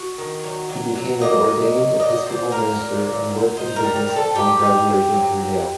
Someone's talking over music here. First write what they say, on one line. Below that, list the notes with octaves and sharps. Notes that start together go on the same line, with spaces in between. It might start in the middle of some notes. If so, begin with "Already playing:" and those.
He became an ordained Episcopal minister and worked in business upon graduation from Yale.
Already playing: F#4
D#3
F#3
F#3
F#3
A#3 D#5
D#4
F#3
A#2 D#5
A#2 C5
A#3 A#4
A#2
A#2
F#3
D#4 C5
A#4
G3
A#4
C4
A4
D#4 G4
D#4
C4
F#3
F#3